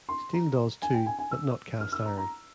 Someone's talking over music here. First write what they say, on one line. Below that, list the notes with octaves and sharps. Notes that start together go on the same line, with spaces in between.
Steel does, too, but not cast iron.
C6
A#5
G#5
G5
G#5
G#5
E6
F6
E6
A#5
A#5